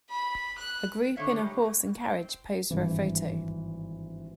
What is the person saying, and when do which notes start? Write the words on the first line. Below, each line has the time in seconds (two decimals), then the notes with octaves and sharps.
A group in a horse and carriage pose for a photo.
0.10 B5
0.58 F#6
1.17 D3 D#3 A3 C5 C#5 E5
1.38 G3 G#3
1.65 B2
2.01 C4
2.70 G#1 G2 E3